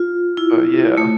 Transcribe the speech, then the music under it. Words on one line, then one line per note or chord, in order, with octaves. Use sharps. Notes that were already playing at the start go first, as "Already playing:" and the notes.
But, yeah.
Already playing: F4
E4
A3